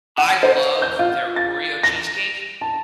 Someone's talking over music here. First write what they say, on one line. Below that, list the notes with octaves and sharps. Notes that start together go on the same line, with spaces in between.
I love their Oreo cheesecake.
F#5
C5
G6
F4
A6
A#6
A5